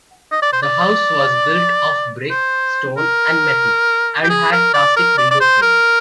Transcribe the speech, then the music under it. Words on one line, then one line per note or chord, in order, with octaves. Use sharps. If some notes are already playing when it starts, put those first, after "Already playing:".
The house was built of brick, stone and metal, and had plastic window frames.
D#5
D5
C5
D5
C5
A#4
G4
G#4
A#4
D5
A#4
D5
D5
C5
A#4